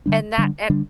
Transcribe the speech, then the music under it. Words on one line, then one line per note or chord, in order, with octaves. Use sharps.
And that and
D3 G3 D4
D3 G3 D4
D3 G3 D4